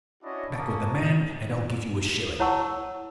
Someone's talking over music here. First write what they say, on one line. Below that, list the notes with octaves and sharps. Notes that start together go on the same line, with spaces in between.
Come back with the man, and I'll give you a shilling.
C#4 D4 E4 F#4 C#5 D#5
A#3 C#4 A5 A#5 D6 D#6
E4 C#5 F#5 A5 C#6 E6